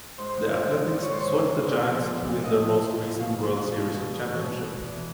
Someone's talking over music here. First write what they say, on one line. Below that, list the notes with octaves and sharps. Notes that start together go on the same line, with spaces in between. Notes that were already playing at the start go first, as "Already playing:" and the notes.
The Athletics swept the Giants to win their most recent World Series championship.
G#2 C5
G#2
G#2
G#2
D#3 D5
C#5
G#2 C5
C#5
D#3
G#2
A#2 D5
F3
A#2
A#2
F3 D#5
F3
F3
A#2
B2 F5
E2
B2
B2
B2
E2
B2
E2
E2
E3